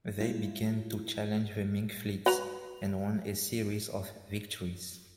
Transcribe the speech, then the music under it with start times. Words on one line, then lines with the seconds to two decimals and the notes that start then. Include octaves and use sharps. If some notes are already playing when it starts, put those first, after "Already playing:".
They began to challenge the Ming fleet and won a series of victories.
0.20 G3 G#3 E4 F4
2.26 F#4 B4 A#5